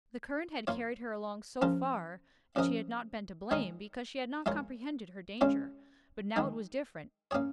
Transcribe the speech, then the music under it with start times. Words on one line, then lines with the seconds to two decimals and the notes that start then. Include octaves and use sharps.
The current had carried her along so far, and she had not been to blame, because she had not comprehended her danger; but now it was different.
0.67 A#3 F4 C#5
1.62 C#3 F3 C#4 F4 A#4
2.56 C#3 F3 C#4 A#4 D#5
3.51 D#3 G#3 D#4 A#4 C#5
4.46 G#3 F4 A#4 C#5
5.41 C#3 G#3 C#4 F4 C#5
6.36 D#3 G#3 D#4
7.31 A#3 C#4 G#4 C#5